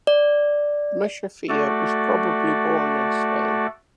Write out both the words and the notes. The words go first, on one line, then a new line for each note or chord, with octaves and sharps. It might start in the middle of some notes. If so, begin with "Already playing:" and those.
Musaphia was probably born in Spain.
D5
A3 F#4 A4 D5